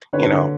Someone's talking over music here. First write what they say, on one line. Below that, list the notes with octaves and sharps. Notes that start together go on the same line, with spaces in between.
you know,
D3 B4 C#5
D3